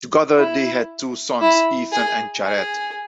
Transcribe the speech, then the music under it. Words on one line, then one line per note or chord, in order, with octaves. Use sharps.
Together they had two sons, Ethan and Jared.
E4
E4
G#4
G#4